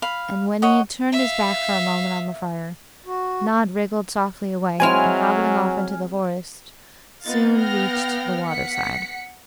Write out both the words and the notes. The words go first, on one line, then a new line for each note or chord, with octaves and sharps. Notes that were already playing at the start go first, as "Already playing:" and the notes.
And when he had turned his back for a moment on the fire, Nod wriggled softly away, and, hobbling off into the forest, soon reached the water-side.
F5 B5
C#5 D#5 F#5
E5 F5
F#4
F#3 G#3 C4 E4 G#5 F6
B3 D#4 F4 F5 A6
G5 F6 A#6
F#5 B6 C#7